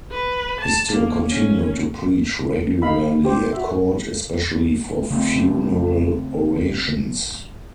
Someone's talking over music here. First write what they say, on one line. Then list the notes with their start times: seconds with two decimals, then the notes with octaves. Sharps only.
He still continued to preach regularly at court, especially for funeral orations.
0.11 B4
0.61 A5
0.92 A#3
1.27 C#4
2.82 D#4 F5 B5
3.25 G4 C5
3.53 F#4 E5
5.10 C#3 A3 B3 C4